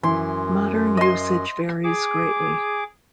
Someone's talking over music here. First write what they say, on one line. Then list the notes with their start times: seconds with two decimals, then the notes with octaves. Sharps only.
Modern usage varies greatly.
0.03 F#2 E3 C6
0.97 D#5 C6
1.84 G#4 D6